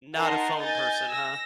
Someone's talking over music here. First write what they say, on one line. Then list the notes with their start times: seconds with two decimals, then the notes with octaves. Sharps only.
Not a phone person, huh?
0.17 D#4 A#4 F#5 A5 A#5 C6
0.62 D#5 G#5 G6 A6
1.11 E6 A#6